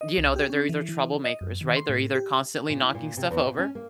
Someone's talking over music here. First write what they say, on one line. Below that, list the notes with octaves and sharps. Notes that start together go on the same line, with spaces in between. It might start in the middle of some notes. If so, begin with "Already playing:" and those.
you know, they're they're either troublemakers, right? They're either constantly knocking stuff over
D#5
C2
G4
C#4
E3
E3
D#5
F#2
D#3
C6
A2
G4
A#2
E4
A#2
C3
E2
A#2
C#4
A#3